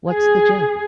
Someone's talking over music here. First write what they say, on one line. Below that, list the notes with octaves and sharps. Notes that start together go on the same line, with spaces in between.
What's the joke?
G#4